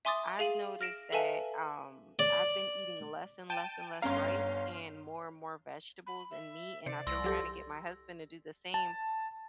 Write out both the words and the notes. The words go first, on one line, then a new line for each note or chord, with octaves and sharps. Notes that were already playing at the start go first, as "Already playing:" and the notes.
I've noticed that, um, I've been eating less and less and less rice and more and more vegetables and meat, and I've been trying to get my husband to do the same,
E5 G#5 C6 D6 D#6 A6
G#4 F5 D#7 F#7
F6 A#6 D7 E7
A4 B4 E5 F5 G#5 A5
D5
G5 A5 D#7
G1 C#4 C#5 F5 A#5 C6
B5
E5
C3 C5 D5 C#7
C2 C6 E6 A#6
F#3 G4 A4
A5